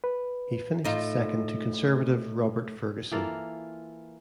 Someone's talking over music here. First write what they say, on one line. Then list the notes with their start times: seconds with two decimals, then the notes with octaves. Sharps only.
He finished second to Conservative Robert Ferguson.
0.04 B4
0.84 A2 D#4 F4
3.12 E3 A#3 F4 A4